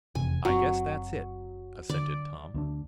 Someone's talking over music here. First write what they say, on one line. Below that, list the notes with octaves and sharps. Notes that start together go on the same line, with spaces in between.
"I guess that's it," assented Tom.
F1 E2 C3 G#5
F#1 F#3 C4
D3 D5
D2 B3 D4